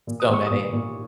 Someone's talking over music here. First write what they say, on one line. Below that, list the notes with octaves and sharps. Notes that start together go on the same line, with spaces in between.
So many.
A#2
D#6
A#2 C#6
A#2 D#6
A#2